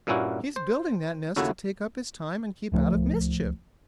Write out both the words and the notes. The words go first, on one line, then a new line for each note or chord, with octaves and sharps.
He's building that nest to take up his time and keep out of mischief.
G2 A#2 A#3 C#4 E4 F#4
C5
D#2 C#3 A3 E4 F#4
D1 C#2 F3 A3